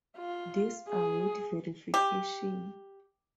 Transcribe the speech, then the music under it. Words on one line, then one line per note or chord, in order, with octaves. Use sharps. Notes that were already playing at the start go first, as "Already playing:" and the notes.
These await verification.
F4
G#4
G4